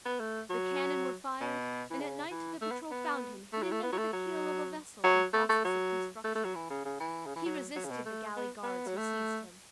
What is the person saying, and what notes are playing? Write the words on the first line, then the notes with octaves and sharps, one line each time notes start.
The cannon were fired, and at night the patrol found him hidden under the keel of a vessel in process of construction; he resisted the galley guards who seized him.
B3
A3
F#3
B2
E3
C#3
E3
A3
B3
B3
A3
F#3
A3
B3
F#3
A3
F#3
F#3
A3
A3
F#3
A3
A3
F#3
E3
C#3
C#3
E3
C#3
E3
F#3
F#3
C#3
B2
A3
B3
B3
F#3
A3